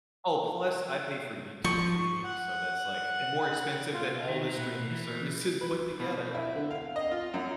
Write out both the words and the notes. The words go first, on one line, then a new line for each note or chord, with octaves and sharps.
Oh, plus I pay for YouTube Premium, so that's, like, eh, more expensive than all the streaming services put together.
F3 C#6
F#5
F4
D#3
B2
E3
B4
B2
E4
D3
F5
D#5
F4
F#2